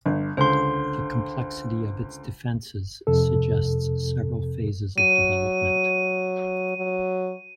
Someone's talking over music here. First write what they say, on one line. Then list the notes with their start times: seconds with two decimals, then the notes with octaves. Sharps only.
The complexity of its defences suggests several phases of development.
0.06 G1
0.37 C#2 D3 C5 C6
3.07 F2 C3 A4
4.98 F#3 D#7
6.77 F#3